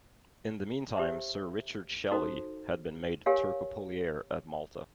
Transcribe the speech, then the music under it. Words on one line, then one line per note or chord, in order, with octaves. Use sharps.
In the meantime Sir Richard Shelley had been made turcopolier at Malta.
G4 C5 E5 A5
D#4 F#4 A4 C5
G4 A#4 C#5 F5 G#5